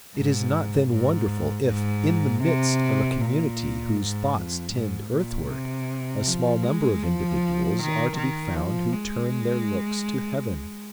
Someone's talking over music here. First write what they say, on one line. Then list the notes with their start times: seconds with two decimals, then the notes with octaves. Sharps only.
It is not then wonderful if, in the midst of a community whose thoughts tend earthward, a small number of individuals are to be found who turn their looks to heaven.
0.15 G#2
0.91 G#2
1.67 G#2
2.43 C3
3.21 A#2
3.97 G#2
4.34 F2
4.72 G#2
5.12 A#2
5.49 C3
6.26 F3
6.63 G#3
7.03 F3
7.79 D#3
8.17 D#3
8.55 F3
8.93 G#3